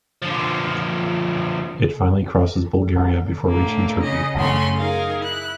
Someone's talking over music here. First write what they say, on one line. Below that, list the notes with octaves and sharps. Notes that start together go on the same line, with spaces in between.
It finally crosses Bulgaria before reaching Turkey.
D3 F3
A2 D3 A#3
C#3 C#4 D#5
F#2 C#3 F#3 A3 C#4 C6
D#4 G#4 A#4 F5
E4 F#6